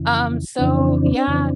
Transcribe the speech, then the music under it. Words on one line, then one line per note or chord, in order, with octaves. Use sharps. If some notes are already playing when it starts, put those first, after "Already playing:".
Um, so yeah,
Already playing: F2 C#3 E3
F2 C#3 E3 C4 D4
F2 C#3 E3